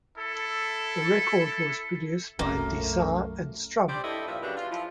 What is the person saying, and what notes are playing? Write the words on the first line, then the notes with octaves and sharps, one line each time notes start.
The record was produced by De Sa and Strum.
E4 A4
C2 F#2 A3 A#3 F4
G3 C4 C5 D5
G2 E4 A4 D#5 E5
G2 A#2 F3 E5
C#3 F#3 D4 G4 B4
F4
F3 E4